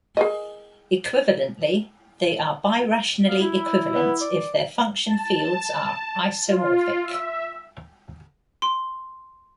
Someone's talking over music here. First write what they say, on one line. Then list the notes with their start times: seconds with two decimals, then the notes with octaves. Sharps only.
Equivalently, they are birationally equivalent if their function fields are isomorphic.
0.17 G#4 A#4 D#5
3.25 A#2 B3 F5
3.40 E4
3.95 B3
4.21 D5
5.06 A5
6.47 F4
7.02 E5
8.62 C6